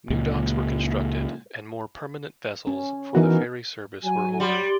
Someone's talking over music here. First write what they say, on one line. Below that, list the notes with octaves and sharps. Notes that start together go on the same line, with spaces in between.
New docks were constructed and more permanent vessels for the ferry service were ordered.
C#2 A#2
C#4
E3 B3 D#4 F#4 A#4
F#3 G#5
G3 D5 C6